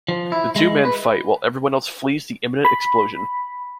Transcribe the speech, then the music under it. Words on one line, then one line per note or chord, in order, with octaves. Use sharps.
The two men fight while everyone else flees the imminent explosion.
F3
E4
G#3
B4
B5